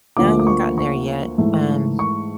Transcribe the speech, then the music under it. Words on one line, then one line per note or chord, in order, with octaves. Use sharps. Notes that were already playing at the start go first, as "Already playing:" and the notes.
Haven't gotten there yet, um,
D2 D3 F3 A#3 D6
D6
C#6
C#6
G#2 E3 A3
C#6